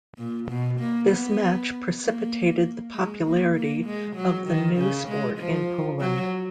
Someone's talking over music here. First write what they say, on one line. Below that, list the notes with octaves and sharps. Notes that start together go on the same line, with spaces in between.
This match precipitated the popularity of the new sport in Poland.
A#2
B2
A#3
B3
A#3
G#3
A#3
A#3
G#3
F#3
D#3
C#3
G#3
F3
F#3